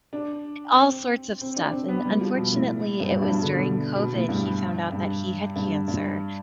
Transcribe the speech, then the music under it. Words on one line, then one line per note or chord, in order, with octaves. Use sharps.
all sorts of stuff, and unfortunately, it was during COVID he found out that he had cancer,
D4
C4
C4
D4
C4
B3
G3
F3
B2
A2
G2
G2
G2
B2
D3
B2
B2
A2
G2
G2
G2
G2